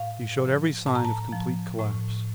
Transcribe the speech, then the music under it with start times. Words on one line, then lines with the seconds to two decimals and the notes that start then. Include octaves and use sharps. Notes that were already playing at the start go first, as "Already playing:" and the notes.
He showed every sign of complete collapse.
Already playing: A2 F5
0.39 F3
0.86 A2 A5
0.95 A#5
1.05 A5
1.33 F3
1.79 A2